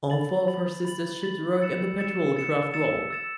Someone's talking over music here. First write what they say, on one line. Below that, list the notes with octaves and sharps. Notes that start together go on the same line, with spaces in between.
All four of her sister ships work in the patrol craft role.
B5 A6 F#7
B5 A6 F#7
B5 A6 F#7
B5 A6 F#7
E6 A6 C#7 E7
E6 A6 C#7 E7
E6 A6 C#7 E7
E6 A6 C#7 E7
E6 A6 E7